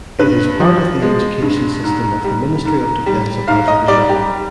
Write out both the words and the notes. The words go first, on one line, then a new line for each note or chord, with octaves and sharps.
It is part of the education system of the Ministry of Defense of Azerbaijan.
G2 B4
F3
G#3
G2
G#2
G3
G#2
G3
G#2 F5
D#5
G3 D5
G4